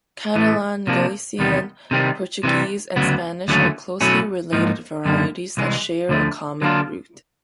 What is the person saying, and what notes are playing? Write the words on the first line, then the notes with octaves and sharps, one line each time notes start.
Catalan, Galician, Portuguese, and Spanish are closely related varieties that share a common root.
A2 E3 A3
C3 F3 A#3 D4
E2 C3 D#3 G3 B3
C3 D#3 G3 C4
C3 E3 G3
D2 C#3 F#3 B3
D#2 D3 F#3 A3 C#4
B2 F#3 A3 C#4 E4
G#2 F3 A#3 D#4
F#2 D3 G3 A#3
C2 C3 E3 G#3
D2 D3 F3 A3
D3 F#3 A#3 D4 F4